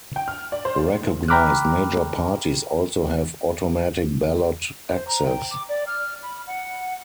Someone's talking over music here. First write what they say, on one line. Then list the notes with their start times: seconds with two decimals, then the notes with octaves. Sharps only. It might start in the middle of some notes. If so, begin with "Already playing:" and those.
Recognized major parties also have automatic ballot access.
0.16 G5
0.28 F6
0.52 D5
0.65 C5
1.28 G5 A#5 B5 D6 F6 F#6
4.89 C5
5.07 A#5
5.27 G5
5.51 D6
5.69 D5
5.87 F6
6.23 B5
6.47 F#5